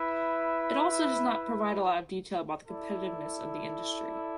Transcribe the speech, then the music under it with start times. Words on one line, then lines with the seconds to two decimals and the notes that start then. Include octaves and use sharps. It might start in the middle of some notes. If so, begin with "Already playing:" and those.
It also does not provide a lot of detail about competitiveness of the industry.
Already playing: E4 B4 E5
2.67 E4 A4 D5